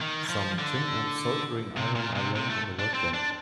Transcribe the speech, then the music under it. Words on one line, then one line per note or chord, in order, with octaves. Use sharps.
Some tin and a soldering iron are laying on the workbench.
D#3
F3
D3
C3
A#2
C3
C3
A3
D4
C4
D4